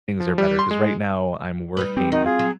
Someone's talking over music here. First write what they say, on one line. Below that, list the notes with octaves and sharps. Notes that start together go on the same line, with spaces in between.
things are better. 'Cause right now, I'm working
F3
G3
C6
G#3
G3 D#4 B4
C4 G4
D#3 D#4 F#4
F4 G#4
F#3